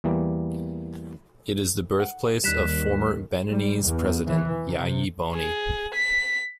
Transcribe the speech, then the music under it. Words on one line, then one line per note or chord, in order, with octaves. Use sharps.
It is the birthplace of former Beninese president Yayi Boni.
E2 E3 G3 A#3
F#5
D#2 D#3 G3 D#4 F#6 B6 E7
G3
E2
E3
C3
G#4
B6